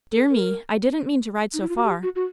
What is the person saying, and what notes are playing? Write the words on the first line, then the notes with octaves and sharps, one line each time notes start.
Dear me, I didn't mean to ride so far.
A4
A#4
D#4
E4
F4
F#4
G4
F#4
F#4